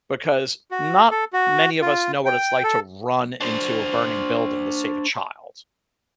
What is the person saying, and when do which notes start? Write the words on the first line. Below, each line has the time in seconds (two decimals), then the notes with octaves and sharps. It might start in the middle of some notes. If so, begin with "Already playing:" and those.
because not many of us know what it's like to run into a burning building to save a child.
0.71 F#4
1.11 A4
1.33 F#4
1.81 F4
2.25 G5
2.64 A4
3.41 D4 C5